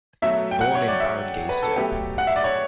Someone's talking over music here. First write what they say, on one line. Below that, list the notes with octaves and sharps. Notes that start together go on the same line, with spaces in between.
Born in Barangay Sto.
B2 F#3 A3 E5
G5
F#5
C#5
D5
E5
B4
A4
B2 F#3 A3 G4
F#5
E5
D5
C#5